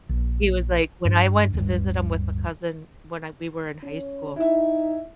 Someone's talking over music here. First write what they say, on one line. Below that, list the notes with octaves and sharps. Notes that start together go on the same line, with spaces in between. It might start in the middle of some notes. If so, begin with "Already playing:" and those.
He was, like, when I went to visit him with a cousin when I we were in high school,
A#1
G2 D4
D1 G2
C#4
D#4 E4 E5